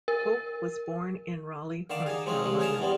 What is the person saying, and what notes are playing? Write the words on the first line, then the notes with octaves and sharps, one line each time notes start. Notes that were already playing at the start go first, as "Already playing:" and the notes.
Hoch was born in Raleigh, North Carolina.
A#4
D3 D#3 F5 A5 D6
D#4 G#4
F3 G#3 C4 C#4 D#4
C2 F3 G#3
C#4 D#4 G#4 A#4 A5 A#5
E2 G2 B3 C4